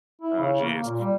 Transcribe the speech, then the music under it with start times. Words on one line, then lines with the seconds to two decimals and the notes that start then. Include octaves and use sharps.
Oh, jeez.
0.21 E4
0.40 C#3
0.61 A#3
0.84 A#2
1.00 G3